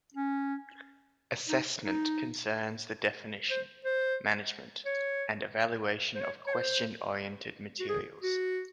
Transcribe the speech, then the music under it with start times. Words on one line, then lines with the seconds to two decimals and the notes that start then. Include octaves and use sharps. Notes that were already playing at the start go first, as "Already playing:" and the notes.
Assessment concerns the definition, management, and evaluation of question-oriented materials.
0.14 C#4
1.49 D#4
1.83 D#4
3.50 C5
3.85 C5
4.86 C#5
6.15 C5
6.21 C#5
6.47 C#5
6.54 C5
7.80 F#4
7.89 G#4
8.23 F#4